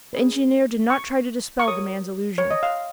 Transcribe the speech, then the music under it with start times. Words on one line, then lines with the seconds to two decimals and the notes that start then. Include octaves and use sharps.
The engineer did not try to dispel the man's illusion.
0.14 C#4 G#4 B4
0.90 C#6
1.59 C#6
1.68 F#4 A#4 C#5 D#6
2.38 C#5
2.51 D#5
2.63 F5